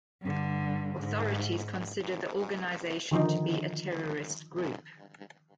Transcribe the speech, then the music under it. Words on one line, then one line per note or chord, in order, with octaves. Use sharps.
Authorities consider the organization to be a terrorist group.
G2 D3
G#2
D3 D#3 F3 D#4